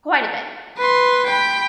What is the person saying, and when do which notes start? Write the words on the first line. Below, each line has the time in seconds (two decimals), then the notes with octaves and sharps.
quite a bit.
0.78 B4 C6
1.26 G5 B5